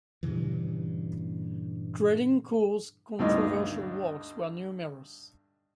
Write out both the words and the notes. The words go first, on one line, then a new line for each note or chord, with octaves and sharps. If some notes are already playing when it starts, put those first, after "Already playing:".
Drelincourt's controversial works were numerous.
G2 A#2 C#3 E3
D2 G2 D#4